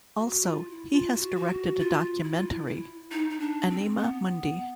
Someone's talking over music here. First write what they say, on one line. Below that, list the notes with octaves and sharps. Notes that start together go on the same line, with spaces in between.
Also, he has directed a documentary "Anima Mundi".
F#4
F4
E4
F4
F#4
F#4
F4
E4
F4
E4
E4
D#4
D#4
D4
C4
B3